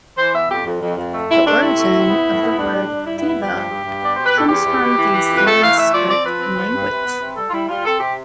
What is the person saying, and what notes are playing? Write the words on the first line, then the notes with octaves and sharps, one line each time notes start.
The origin of the word 'deva' comes from the Sanskrit language.
E3 C5
B3 E5
F2 G4
F2
F2
F2
A3
C3 E4
A3 D4
C3 E4
A3
C3
B3
A2
B3
A2 D4
G3
G3
G2 E4
E4
B3
E4
F3 G4
G2
G2
G2
B3 D5
B2 C5
B4
B2 A4
E2 G4
E2
B2
E3
E3
F2
B4
A3 A4
E3 F5
A3 E5
F3 D5
C4 D5
F3 B4
C4
F3
G2
C3
B3
C3
G3 A4
F4
G3 E4
G3 F4
C4 A4
C3 G4